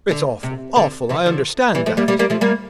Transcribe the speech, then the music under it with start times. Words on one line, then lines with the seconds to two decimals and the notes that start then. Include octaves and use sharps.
It's awful, awful, I understand that!
0.11 D3
0.43 C3
0.76 D3
1.09 C3 E3
1.26 D3 F3
1.75 E3 G3
1.86 F3 A3
1.97 G3 A#3
2.08 G3 A#3
2.19 G3 A#3
2.30 F3 A3
2.41 G3 A#3